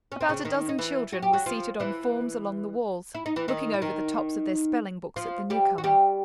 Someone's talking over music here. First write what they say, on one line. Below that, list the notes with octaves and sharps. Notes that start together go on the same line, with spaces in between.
About a dozen children were seated on forms along the walls, looking over the tops of their spelling-books at the newcomer.
C#4
C4
C#3 C#4
D#3 D#4
D#4
E3 E4
F#4
G4
F#3 F#4
F3 F4
E3 E4
E4
D#4
E3 E4
D#3 D#4
E4
D#3 D#4
F3 F4
G3 G4
F#4
G3 G4